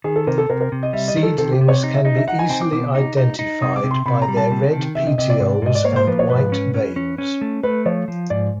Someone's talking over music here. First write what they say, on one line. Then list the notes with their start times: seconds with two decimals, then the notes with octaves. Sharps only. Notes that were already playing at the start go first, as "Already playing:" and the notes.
Seedlings can be easily identified by their red petioles and white veins.
0.04 D#3 G#4
0.16 A4
0.27 C3 A#4
0.38 A4
0.49 C3 A#4
0.61 A#4
0.72 C3
0.83 D#5
0.93 G3 E5
1.08 D#5
1.17 D#3
1.23 A4
1.38 C3 A4
1.53 G4
1.61 C3
1.68 C#5
1.84 D#4
1.94 E5
2.05 D#4 D#5
2.17 E5
2.28 D#4 F#5
2.39 G#5
2.50 C4 G#5
2.61 D6
2.72 B2 D6
2.95 D#4
3.17 D#4
3.39 D#4
3.62 C3 D#6
3.76 D6
3.84 C3
3.91 C6
4.06 C3 B5
4.22 A#5
4.28 G3
4.37 A5
4.51 C3
4.73 D#3
4.95 C3 E5
5.07 D#5
5.18 C3 D#5
5.30 D5
5.40 G#2
5.62 G#2 D#5
5.75 D5
5.85 A#3 C#5
5.96 C5
6.07 F3 B4
6.19 C#5
6.30 G#2 B4
6.52 C#4
6.74 C#4
6.96 C#4
7.18 C#4
7.41 A3
7.63 A3 B4
7.86 F3 C#5
8.08 F3
8.30 G#2 D5